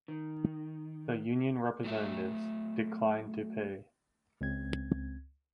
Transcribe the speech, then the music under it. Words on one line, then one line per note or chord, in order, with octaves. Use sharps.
The union representatives declined to pay.
D#3
F#3 A3 E5
C#2 C4 G#6